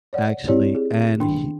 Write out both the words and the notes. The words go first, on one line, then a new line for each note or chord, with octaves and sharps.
actually, and he
C#5 D5 F#5
C4 E4 G4 C#5 D5
G#4
D#3 D4 G5 C6